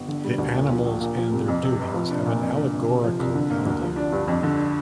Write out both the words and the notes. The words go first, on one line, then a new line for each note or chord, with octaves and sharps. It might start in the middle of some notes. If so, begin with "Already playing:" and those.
The animals and their doings have an allegorical value.
Already playing: G1
D3
G3
D2
A#2
F3
A#1
A#2
F3
C2
F2
C3
F1
F3
D4
A#2
F2
D3
F1
C3
F3
C2
D3
A#3
D2
F3
D4
G2
F2
D3